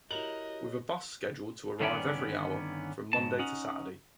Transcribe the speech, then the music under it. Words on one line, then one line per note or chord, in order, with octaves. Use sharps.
With a bus scheduled to arrive every hour from Monday to Saturday.
E4 F#4 G4 A#4 C#5 D#5 F7 F#7
G2 D3 D#3 B3 C#4 D5
G#2 C#3 A5
C#4 D#4 F#5